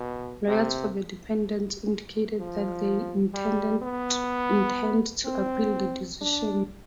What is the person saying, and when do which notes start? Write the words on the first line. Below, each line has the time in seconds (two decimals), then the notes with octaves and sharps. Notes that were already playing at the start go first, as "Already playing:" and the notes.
Lawyers for the defendants indicated that they intended to appeal the decision.
Already playing: B2
0.47 C3
2.38 F3
3.34 G3
3.82 B3
5.25 C4
6.21 D4